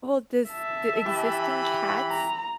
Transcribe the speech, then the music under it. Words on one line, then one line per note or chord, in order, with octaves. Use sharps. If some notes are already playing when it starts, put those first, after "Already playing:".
Well, does the existing cats,
E5 A5
E3 G4 B5
A#5